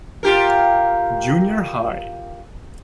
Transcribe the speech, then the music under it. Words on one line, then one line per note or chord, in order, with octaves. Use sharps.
Junior High.
F4 G4 A#4